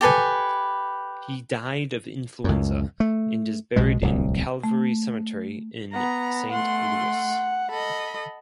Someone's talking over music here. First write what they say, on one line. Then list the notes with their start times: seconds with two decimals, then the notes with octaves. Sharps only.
He died of influenza, and is buried in Calvary Cemetery in Saint Louis.
0.01 G4 A4 B4 G#5
2.44 C#2 F#2
3.00 A3
3.76 B1 B2 G#3
4.02 D1 C2
4.64 A3
5.93 B3 A#5
6.51 A3 F#5 C6
7.71 A4 D#5 B5